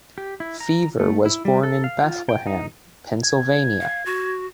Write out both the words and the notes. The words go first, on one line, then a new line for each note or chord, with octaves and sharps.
Feaver was born in Bethlehem, Pennsylvania.
G4
E4
A#5
A3
E4
G3
A4
F5
F4
G5
D#4
G#6
F5
F#4